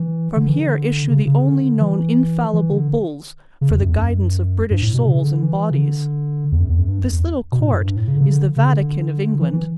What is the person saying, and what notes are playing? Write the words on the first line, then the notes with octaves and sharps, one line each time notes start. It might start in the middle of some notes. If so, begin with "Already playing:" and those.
From here issue the only known infallible bulls for the guidance of British souls and bodies. This little court is the Vatican of England.
Already playing: E3
D3
E3
D3
C#3
C#3
D3
E3
E3
D3
C#3
E2
F#2
E2
F#2
G2
A2
B2
C#3
D3
E3
C#3
D3
E2
F#2
E2
F#2
G2
F#2
E2
B2
A2
F#2
G2
A2
C#3
D3
C#3
D3
C#3
D3
E3
E3